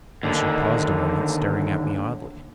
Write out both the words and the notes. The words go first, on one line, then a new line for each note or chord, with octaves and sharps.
Mercer paused a moment, staring at me oddly.
D#2 D3